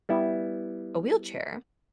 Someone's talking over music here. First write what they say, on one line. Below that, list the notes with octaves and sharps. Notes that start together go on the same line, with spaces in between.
a wheelchair.
G3 B3 E4